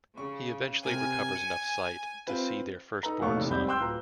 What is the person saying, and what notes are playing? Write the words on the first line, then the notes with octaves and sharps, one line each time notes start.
He eventually recovers enough sight to see their firstborn son.
C#3 C#6
C3 A#4 G#5
C#7
C4 F4 B4
D#4 A4 B4 A#5
A1 D#2 B2 A3 F5 C#6
E2 C3 D#4
F1 G#2 G3 C4 B5 G6
G5 C6 D6 E6 F#6 G6
D1 F4 B4 A#5